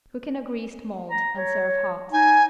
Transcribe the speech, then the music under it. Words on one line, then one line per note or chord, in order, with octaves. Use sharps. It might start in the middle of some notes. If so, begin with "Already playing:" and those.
Cook in a greased mold and serve hot.
A#5
C#5
D#4 G#5